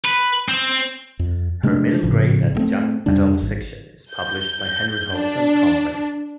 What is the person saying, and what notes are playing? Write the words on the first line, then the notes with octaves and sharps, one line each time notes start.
Her middle grade and young adult fiction is published by Henry Holt and Company.
B4
C4
F2
C3 G#3 A3 D4
G#1 A2 C#3 F3
G2 A3 C4
F2 C3 G3 D4
G#1
G6
D4